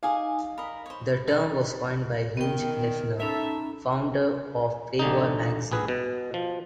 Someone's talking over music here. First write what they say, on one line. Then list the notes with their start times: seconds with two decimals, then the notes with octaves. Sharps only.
The term was coined by Hugh Hefner, founder of "Playboy" magazine.
0.03 D#4 G#4 F5 G#5 D6
0.58 A#4 D#5 B5
0.86 C5 C#5
1.28 D#4 C#5 A6
2.37 D#3 B3 A#4 G5
3.20 C#4 D#4 A4 E5 B5
4.99 A1 D3 D#4
5.71 A#1 G#4 B4
5.88 B2
6.34 F3